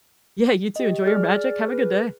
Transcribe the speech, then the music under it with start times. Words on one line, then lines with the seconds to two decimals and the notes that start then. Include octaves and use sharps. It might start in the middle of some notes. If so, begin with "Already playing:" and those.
Yeah, you too, enjoy your magic, have a good day.
0.76 G4 D#5
1.06 G#4 D5 F6
1.68 B4